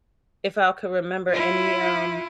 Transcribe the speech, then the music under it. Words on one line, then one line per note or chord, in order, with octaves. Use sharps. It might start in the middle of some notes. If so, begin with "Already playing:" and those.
if I could remember any, um,
E4 F4